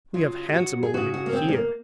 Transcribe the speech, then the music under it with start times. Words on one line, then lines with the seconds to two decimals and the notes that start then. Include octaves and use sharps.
"We have handsomer women here."
0.14 C#3 F#3 F4
0.49 G#4
0.54 F#4
0.83 G#4
0.94 C#3 F#3 F#4
1.14 F#4
1.26 A#3
1.33 C4
1.49 G#3
1.53 A#3